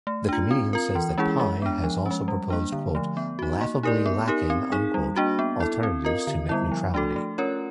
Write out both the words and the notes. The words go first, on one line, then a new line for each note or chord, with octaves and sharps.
The comedian says that Pai has also proposed "laughably lacking" alternatives to net neutrality.
A3
D4 F4
C4
F4 A#4
E3
G#3 C#4 E4 G#4
G#3
B3 D4
F3
G#3 C#4
G3
A#3 D4
D3
F3 A3
B3
D#4 F#4
A#3
D#4 G4 A#4 D5
B3
D#4 G4 A#4
C4
D#4 G#4
G3
A#3 D4 F#4
B3
E4 A4
C4
F4 A#4 D#5
D3
G3 B3 E4
F3
A3 D4 F#4 A4
A3
C#4 F4 A#4 C#5